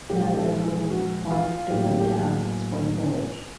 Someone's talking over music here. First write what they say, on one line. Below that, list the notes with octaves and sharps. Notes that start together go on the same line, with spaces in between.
Men and women performed different tasks for the village.
A#2 F3 G#3 G4
A4
G#4
F#4
F4
A2 F#3 A#3 G4
G4
G#4